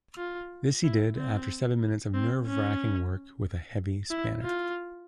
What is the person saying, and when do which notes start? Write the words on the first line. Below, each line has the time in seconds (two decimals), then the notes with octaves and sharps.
This he did, after seven minutes of nerve-racking work with a heavy spanner.
0.18 F4
0.84 E4
1.16 C4
2.14 C4
2.47 C#4
4.11 E4
4.43 F4